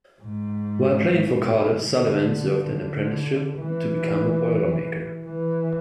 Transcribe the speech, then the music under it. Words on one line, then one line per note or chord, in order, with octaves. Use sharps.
While playing for Cardiff, Sullivan served an apprenticeship to become a boilermaker.
G#2
D3
D3
E3
E3